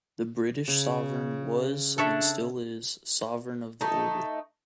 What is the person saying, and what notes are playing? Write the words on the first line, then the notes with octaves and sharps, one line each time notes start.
The British Sovereign was, and still is, Sovereign of the Order.
C#3
D4 A4 C#5 E5
A3 D#4